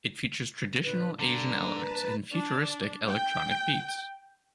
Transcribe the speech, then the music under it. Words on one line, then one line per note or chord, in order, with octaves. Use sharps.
It features traditional Asian elements and futuristic electronic beats.
A#2 D3 B4
G2 D3 A#3 D4 A#5
B4 A5
D4
G5